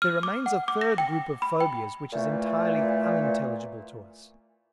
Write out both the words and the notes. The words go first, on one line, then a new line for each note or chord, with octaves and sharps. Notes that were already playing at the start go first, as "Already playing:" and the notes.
There remains a third group of phobias which is entirely unintelligible to us.
F6
D6
F#5
D6
A#6
G5
B5
G5
A#2 E3 A3